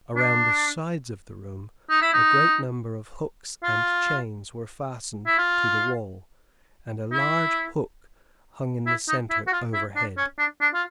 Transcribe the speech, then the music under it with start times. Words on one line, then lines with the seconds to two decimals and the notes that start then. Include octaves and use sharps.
Around the sides of the room, a great number of hooks and chains were fastened to the wall, and a large hook hung in the center overhead.
0.16 D4
1.90 D#4
2.02 E4
2.14 D#4
3.64 F4
5.27 E4
5.38 F4
7.12 E4
8.86 E4
9.08 D#4
9.30 E4
9.47 F#4
9.53 F4
9.74 E4
9.96 D4
10.17 C#4
10.39 D4
10.61 D4
10.74 F4